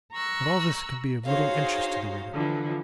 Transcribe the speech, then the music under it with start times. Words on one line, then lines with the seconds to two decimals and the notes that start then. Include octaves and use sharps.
But all this can be of little interest to the reader.
0.12 A#5 C#6 E6 F#6
1.25 D#4 F#4 G#4 C5 C#5 F5
2.34 D3 E3 F3